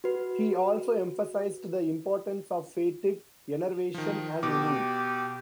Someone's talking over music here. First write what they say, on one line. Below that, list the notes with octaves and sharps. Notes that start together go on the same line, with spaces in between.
He also emphasized the importance of "fatigue", "enervation" and "ennui".
F#4 B4
D#3 F3
B2 G4 D6